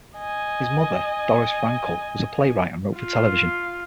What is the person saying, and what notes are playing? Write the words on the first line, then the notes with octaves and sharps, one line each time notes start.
His mother, Doris Frankel, was a playwright and wrote for television.
D#5 G#5
F4